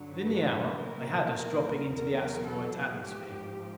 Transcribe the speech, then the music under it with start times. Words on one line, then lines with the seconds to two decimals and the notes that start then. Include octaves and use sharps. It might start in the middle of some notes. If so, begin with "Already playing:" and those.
Within the hour I had us dropping into the asteroid's atmosphere.
Already playing: G2 D3 F#3
0.22 B4
0.78 A#2 F#3 A#4
1.35 A#4
1.90 E2 B2 F#3 A#4
2.46 A4
2.75 G#4
3.03 G#2 F3 G4